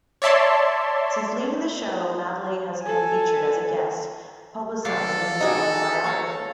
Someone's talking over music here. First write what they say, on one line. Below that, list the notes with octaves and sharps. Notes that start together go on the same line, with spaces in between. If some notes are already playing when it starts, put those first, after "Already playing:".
Since leaving the show, Madeley has been featured as a guest, publicising his autobiography.
C#5 D5 E5 A5 C6
A4 G#5
F#3 A4 D5 F5
D#4 F#4 G#4 D5 D#5
C#5 F5 A#5